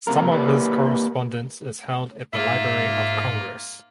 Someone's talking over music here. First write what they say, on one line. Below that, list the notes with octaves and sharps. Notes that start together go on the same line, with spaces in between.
Some of his correspondence is held at the Library of Congress.
C#2 C3 A#3 A#4
A#3 G4 B4 D5
G#2 A#3 F4 E5